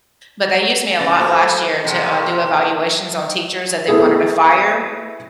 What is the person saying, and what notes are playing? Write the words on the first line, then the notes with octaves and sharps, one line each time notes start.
But they used me a lot last year to, uh, do evaluations on teachers that they wanted to fire.
C#3 A6 A#6
A3 F#4 C5
E2 C3
A3 B3 E4 G#4